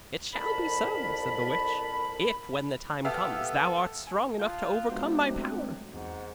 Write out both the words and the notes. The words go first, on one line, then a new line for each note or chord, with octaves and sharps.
'It shall be so,' said the witch, 'if, when the time comes, thou art strong enough to overcome my power.
C2 F2 A#4 A5 B5
B3 G4 A4 E5 F5
G#5 A5
F4 D#6 F#6 G6
C3 G#3 B3 D4 F#4
F#3 A3 C4
E2 G#2 F#5